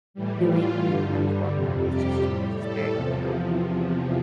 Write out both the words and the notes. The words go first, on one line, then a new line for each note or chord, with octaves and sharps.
doing enough for her. It's just she she's very unhappy in the relationship,
A2 E3 G3
F4
G2 D3 G3
F2 C3 G3
G4
A2 G3
A4
E2 C3 F3